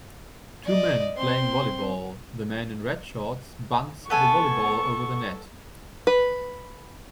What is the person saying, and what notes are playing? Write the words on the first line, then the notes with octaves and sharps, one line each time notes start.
Two men playing volleyball, the man in red shorts bunts the volleyball over the net.
D5 D#5
C4 C6
B3 A4 G#5 C#6
B4